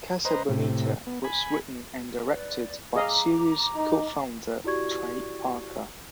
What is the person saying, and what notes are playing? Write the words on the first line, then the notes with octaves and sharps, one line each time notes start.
"Casa Bonita" was written and directed by series co-founder Trey Parker.
B4 C5 D#5 A#5
A2 C3
B3
G#5 B5
B4 D5
G#4 D#5 F5 A#5 D6
D#4
E4 F#4 G4 D5 C#6 G#6